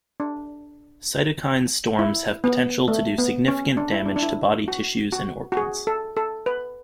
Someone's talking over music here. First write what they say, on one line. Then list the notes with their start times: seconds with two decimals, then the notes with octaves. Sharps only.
Cytokine storms have potential to do significant damage to body tissues and organs.
0.20 D4
1.99 E4
2.44 B3
2.88 A3
3.18 B3
3.48 C#4
3.77 D4
3.92 E4
4.06 D4
4.16 D4
4.23 E4
4.68 F#4
5.12 F#4
5.52 F#4
5.57 G#4
5.87 A4
6.17 A4
6.46 B4